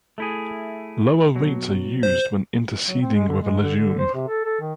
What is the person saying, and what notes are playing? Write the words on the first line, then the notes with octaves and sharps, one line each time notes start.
Lower rates are used when interseeding with a legume.
A3 E4 G#4
B2 F#3
C5
F#3
C4
G#3
D3
G#3
D3
D3
C5
C3
A4
A4
D#3